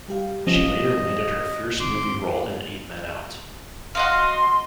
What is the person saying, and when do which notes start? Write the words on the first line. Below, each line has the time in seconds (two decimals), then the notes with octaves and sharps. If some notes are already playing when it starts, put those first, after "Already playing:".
She later landed her first movie role in "Eight Men Out".
0.08 G3 G4 F5
0.47 F3 C#4 D#5
1.80 D#3 C4 C6 D6
3.95 F#4 D#5 F5 C6